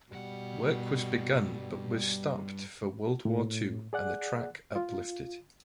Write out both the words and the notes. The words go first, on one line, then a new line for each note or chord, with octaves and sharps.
Work was begun but was stopped for World War Two and the track uplifted.
G2 B2 G3 F#5
A2
G#4 D5 F#5 F#6
F4